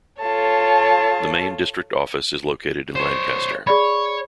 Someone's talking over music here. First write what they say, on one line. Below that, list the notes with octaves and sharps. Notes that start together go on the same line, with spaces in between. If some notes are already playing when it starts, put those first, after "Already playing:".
The main district office is located in Lancaster.
F4 A4 C#5 A5
C5 C#5
G#4 C#5 D5 B5